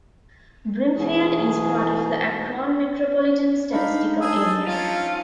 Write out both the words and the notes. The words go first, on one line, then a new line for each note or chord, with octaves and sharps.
Brimfield is part of the Akron Metropolitan Statistical Area.
G#2 B2 E3 G#4
D4 D#4 F5 B5
G#4 A5 D#6 E6
F3 C#4 F4